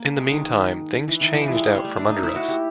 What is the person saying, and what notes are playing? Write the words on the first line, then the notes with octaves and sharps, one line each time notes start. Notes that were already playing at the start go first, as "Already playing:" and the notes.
In the meantime, things changed out from under us.
Already playing: A#3
G#3
D#3
E3
D#3
E3
F3
G3 G#3
G#3
G3
A3
D4
D#4
E4
F#4
G4